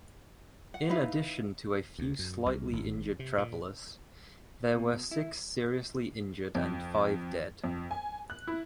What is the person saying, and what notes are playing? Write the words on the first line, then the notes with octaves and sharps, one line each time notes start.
In addition to a few slightly injured travelers, there were six seriously injured and five dead.
F#5
D#4 E4 B4 F5
D2
F#2
C2
G#1
C3
A#2
B2
E4
F2
F2
G#5
F#6
E4